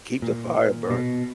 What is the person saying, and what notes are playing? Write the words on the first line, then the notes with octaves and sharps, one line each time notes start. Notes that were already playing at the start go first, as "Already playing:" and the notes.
Keep the fire burn
A#2
B2